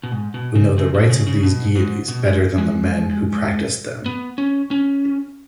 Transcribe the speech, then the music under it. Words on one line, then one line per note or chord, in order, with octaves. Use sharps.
We know the rites of these deities better than the men who practiced them.
B2
G#2
B2
C#3
C#3
B2
C#3
C#3
B2
G#2
B2
G#2
G#3
B3
C#4
C#4